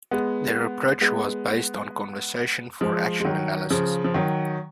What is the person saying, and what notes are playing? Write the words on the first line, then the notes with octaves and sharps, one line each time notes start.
Their approach was based on conversation-for-action analysis.
G#3 B3
G#3 B3
F3 G#3
G#3
D#3 F#3
C#3 F3
F3
D#3 F#3